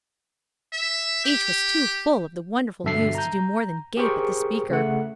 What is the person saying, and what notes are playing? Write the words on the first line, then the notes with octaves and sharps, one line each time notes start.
Each was too full of the wonderful news to do more than gape at the speaker.
E5
G4
G2 B2 D3 E5 A5 C7
A#5 G6
G4 G#4 A#4 C5 G5 C#6
C#3 A3 F#5